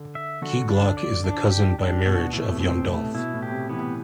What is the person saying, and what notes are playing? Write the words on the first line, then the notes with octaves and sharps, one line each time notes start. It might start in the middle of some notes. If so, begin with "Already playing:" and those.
Key Glock is the cousin by marriage of Young Dolph.
Already playing: D3
E5
D3 F#4
D4
D5
D4
G4
D4
B2 F#4
A2 A3
C3
B2 C4
C3
A3
A2
B2 E4
A2
G4
C3
E3 B3